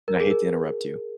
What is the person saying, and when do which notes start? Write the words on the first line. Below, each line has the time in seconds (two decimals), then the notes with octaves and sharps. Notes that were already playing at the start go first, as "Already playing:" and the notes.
and I hate to interrupt you.
0.08 A#4
0.20 G#4
0.31 A#4